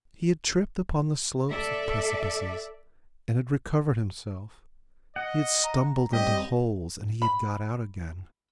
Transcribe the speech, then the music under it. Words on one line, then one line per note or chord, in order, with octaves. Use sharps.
He had tripped upon the slopes of precipices, and had recovered himself; he had stumbled into holes, and had got out again.
A4 D5 E5
D#5 F#5
A#5
G3 C4 G4 D#5
B5